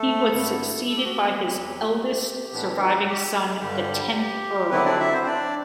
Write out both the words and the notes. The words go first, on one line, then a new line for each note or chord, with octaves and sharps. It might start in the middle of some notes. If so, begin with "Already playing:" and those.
He was succeeded by his eldest surviving son, the tenth Earl.
Already playing: A3 A4
G2 D3 A3 E4
A4
G4
F#4
G4
E2 B2 F#3 C4
A2 E3 B3 D4
G4
G2 D3 G3 G4
D3 F#3 B3 C4 E4 B4
D4 D5
E4 E5
C4 C5
D4 D5